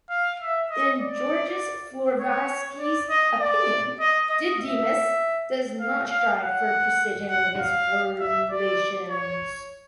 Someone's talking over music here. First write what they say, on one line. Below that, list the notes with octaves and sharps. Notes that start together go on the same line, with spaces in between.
In Georges Florovsky's opinion, Didymus does not strive for precision in his formulations.
F5
E5
D#5
D5
C#5
D5
D#5
D5
D#5
D#5
E5
F5
F5
F#5
F#5
F5
E5
D5
C#5